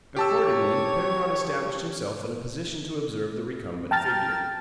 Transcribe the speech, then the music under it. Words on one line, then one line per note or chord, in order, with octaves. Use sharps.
Accordingly, Penrod established himself in a position to observe the recumbent figure.
G4 C#5 A5 E6
G5 A5 A#5 F6 A6